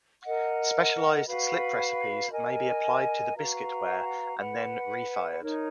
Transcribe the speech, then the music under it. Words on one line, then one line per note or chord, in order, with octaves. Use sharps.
Specialized slip recipes may be applied to biscuit ware and then refired.
A#4 D#5 F#5
F#4 B4 F5 B5
A#4 D#5 G#5
F#4 B4 F5 A#5
B4 F#5 B5
D#4 A#4 C#5